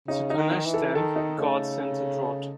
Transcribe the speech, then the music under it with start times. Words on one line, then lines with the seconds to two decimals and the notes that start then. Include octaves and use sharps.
To punish them, God sent a drought.
0.08 C#3 D#4
0.30 D#4
0.37 D#3
0.51 D#4
0.65 E3
0.74 A4
0.95 D#3 A4
1.16 D#4
1.38 C#3 A3